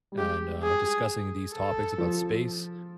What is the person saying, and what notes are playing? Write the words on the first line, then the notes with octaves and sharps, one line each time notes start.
and, uh, discussing these topics about space.
G3
G#3 G4
G#4
A4
F3